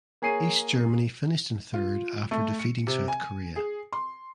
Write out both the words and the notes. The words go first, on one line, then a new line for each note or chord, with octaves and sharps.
East Germany finished in third after defeating South Korea.
A#3 G#4 C#5 C7 D#7
F4
A3
C#7
C3
G#5
G#4
C6